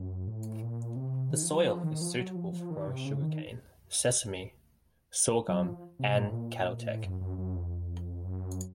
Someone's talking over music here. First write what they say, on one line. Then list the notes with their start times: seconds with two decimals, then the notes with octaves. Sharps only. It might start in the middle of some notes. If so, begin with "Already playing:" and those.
The soil is suitable for growing sugar cane, sesame, sorghum and cattle tech.
Already playing: F#2
0.27 A2
0.62 A#2
0.96 C3
1.31 D#3
1.43 F3
1.49 F#3
1.67 F3
1.83 D#3
2.01 F3
2.19 F#3
2.36 F3
2.53 F3
2.71 D#3
2.88 C3
3.05 C#3
3.22 D#3
5.48 F#3
5.66 F3
5.99 C3
6.16 A#2
6.25 A2
6.33 A#2
6.87 A2
7.04 F#2
7.21 F#2
7.38 F#2
7.55 F2
8.25 F#2